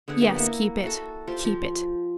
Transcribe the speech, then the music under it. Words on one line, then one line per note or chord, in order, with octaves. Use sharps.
"Yes, keep it--keep it."
D3 B3 G#4 F#5
A#3 B3 G4
A#3 E4 E5 F#5
F#4 A4
F4 G4 C5
F3